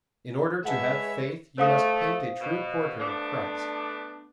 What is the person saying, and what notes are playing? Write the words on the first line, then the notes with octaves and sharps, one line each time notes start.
In order to have faith you must paint a true portrait of Christ.
G#3 B4 C#5 E5 F#5 A5
A3 C5 F5 D#6
B2
A3 B3 D4